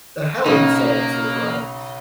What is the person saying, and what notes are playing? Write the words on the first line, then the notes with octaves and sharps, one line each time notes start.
The hell you say it's all right!
B1 C#3 A#3 D#4